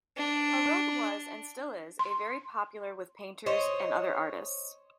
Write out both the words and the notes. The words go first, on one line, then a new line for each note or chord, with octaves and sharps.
Arild was and still is a very popular with painters and other artists.
D4
C6
C5 C#5 D#5